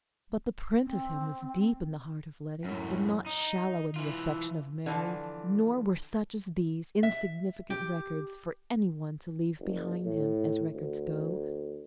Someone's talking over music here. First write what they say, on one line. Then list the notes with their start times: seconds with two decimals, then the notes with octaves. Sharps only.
But the print of him was deep in the heart of Letty, and not shallow in the affection of Mary; nor were such as these, insignificant records for any one to leave behind him, as records go.
0.85 C4
2.65 F#2 A2
3.26 D#4
3.96 E3 F4
4.86 D3 E3 F3
7.03 E5
7.70 G4
9.60 F#1
10.05 A2
10.74 D2